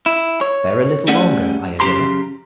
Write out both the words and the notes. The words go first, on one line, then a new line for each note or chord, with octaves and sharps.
Bear a little longer, Iadilla.
E4
C#5
G3 A3 C#4 G#4 D5 F#5
F#2 C#3 F3 G4 A#5 C6